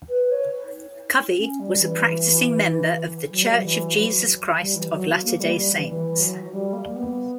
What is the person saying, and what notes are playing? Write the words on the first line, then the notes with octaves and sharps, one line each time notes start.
Covey was a practicing member of The Church of Jesus Christ of Latter-day Saints.
B4
C#5
C#4
G3
E3
F#3
G3
F#3
E3
F#3
G3
E3
F#3
A#3
A#3
G3
G3
E3
E3
F#3
F#3
G3
A#3
B3